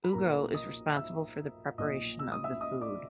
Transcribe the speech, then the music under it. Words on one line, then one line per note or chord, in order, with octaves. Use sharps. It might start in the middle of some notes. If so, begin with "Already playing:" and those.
Ugo is responsible for the preparation of the food.
B5
B1 A#2 F3 A#4 A#5
D#5 D#6
E5 E6
B1 A#2 F3 D#5 D#6
E6
D#6
E5 E6
D#5 D#6
D5 D6